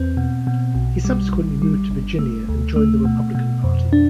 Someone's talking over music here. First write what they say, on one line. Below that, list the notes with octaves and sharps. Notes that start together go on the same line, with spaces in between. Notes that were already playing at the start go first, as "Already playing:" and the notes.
He subsequently moved to Virginia and joined the Republican Party.
Already playing: E2 C4
B2
B2
B1
G3
A1
G3
G1
A3
D2
A3
B2
B2
F2
D4